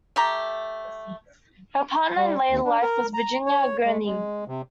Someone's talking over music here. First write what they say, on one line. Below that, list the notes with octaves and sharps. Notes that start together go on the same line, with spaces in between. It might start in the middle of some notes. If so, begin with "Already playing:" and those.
Her partner in later life was Virginia Gurnee.
A3 G4 A#5
G3
D#2
D4
A#4
A#5
C#5
G#3
G#3
C3